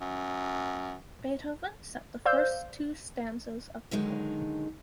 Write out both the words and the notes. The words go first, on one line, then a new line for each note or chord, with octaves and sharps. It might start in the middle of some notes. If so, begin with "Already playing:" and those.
Beethoven set the first two stanzas of the poem.
F#2
C5 D5 F5 E6 G6
D3 D#3 F#3 G#3 D#4